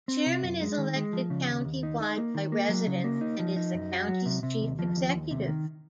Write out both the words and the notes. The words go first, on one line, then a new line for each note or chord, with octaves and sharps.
A chairman is elected countywide by residents and is the county's chief executive.
C4
C3
F#2
G#3
D#3
G#3
F3
C#3
D#2
D#2
D#4
D#4
A#3
D#3
A#3
F#3
C#3
A#3
D#4
F3
D#4
F#2
F#4
F#3
C3
C3
D#2
F3
D#2
D#2
C3
D#3